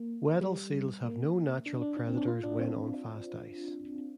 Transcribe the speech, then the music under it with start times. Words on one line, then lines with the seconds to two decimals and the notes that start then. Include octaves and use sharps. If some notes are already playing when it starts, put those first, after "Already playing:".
Weddell seals have no natural predators when on fast ice.
Already playing: A#3
0.41 G3
1.04 A#3
1.66 D4
1.82 D4
1.97 D4
2.07 C4
2.17 D4
2.28 F4
2.44 D4
2.59 C4